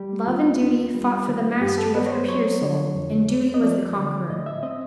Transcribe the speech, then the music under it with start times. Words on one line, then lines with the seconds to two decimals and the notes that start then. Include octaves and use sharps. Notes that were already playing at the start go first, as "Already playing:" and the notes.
Love and Duty fought for the mastery of her pure Soul: and Duty was the conqueror.
Already playing: G3 G4
0.27 D#2 F4
0.61 B3
0.95 G3
1.28 D#3
1.61 G2 G4
1.78 A4
1.95 B3 B4
2.06 C#5
2.12 C5
2.29 F#3 C#5
2.62 D3
2.95 F2
3.29 A#3
3.54 D#5
3.63 F3 D5
3.97 D3
4.29 A2 D#5
4.46 E5
4.63 C4 D#5